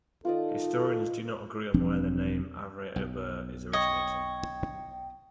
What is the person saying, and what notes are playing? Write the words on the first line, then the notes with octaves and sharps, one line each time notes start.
Historians do not agree on where the name "Havre-Aubert" is originating.
D#3 D#4 F4 A4 D5 D#5
E1 F3 C4 D4
B1
C#5 D#5 G5